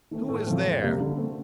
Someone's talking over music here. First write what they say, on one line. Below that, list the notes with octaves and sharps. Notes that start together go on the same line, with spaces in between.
Who is there?
D#3 A3 C4
A2 A4
F3 A3 C4
F2
C3 G3 A#3
D3
A3 C4